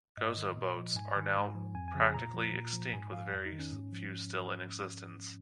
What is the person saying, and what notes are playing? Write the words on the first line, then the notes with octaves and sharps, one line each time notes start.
Gozo boats are now practically extinct with very few still in existence.
G#2 D#5
D#3
A#2
F3
G#2 G#5
D#3
G#2
F3
F2 G#5
G#5
C#3 F3
G#4
A#2 A#5
F3
A#2
F3
G#2 G#5
F3 F5
F2
D#4
D#3
C#4
G#2
F3